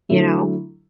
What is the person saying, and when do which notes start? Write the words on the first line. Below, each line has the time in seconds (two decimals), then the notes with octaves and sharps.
you know,
0.09 D3 F#3 A3 E4